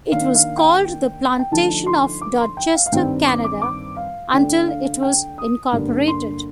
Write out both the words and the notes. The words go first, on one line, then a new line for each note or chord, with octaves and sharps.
It was called the Plantation of Dorchester-Canada until it was incorporated.
D#3 A#3 D4 F5
F5
G5
G5
D3 F3 A3 D#4 A5
C6
D6
C6
G5
F5
F5
G2 D#3 G3 C4 G5
D6
D6
D6
F5
D3 A3 D4 G5
F5
G5
D#6
G2 D3 G3 A#3
C6